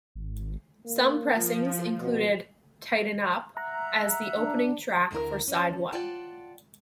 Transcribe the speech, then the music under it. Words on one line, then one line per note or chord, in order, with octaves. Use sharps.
Some pressings included "Tighten Up" as the opening track for side one.
G#1
A#3
F3
B2
E5 F#5 A#5
D4
D2 D3 D4 E4 A#4
C#4
F4 D5 F#5 G5 A5